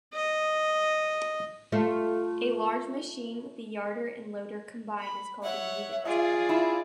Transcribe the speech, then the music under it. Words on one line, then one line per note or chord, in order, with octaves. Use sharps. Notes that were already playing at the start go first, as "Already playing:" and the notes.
A large machine with a yarder and loader combined is called a unit.
D#5
A3 F4 E5
B5
C#5 E5 F#5
F4 G#4 D5
E4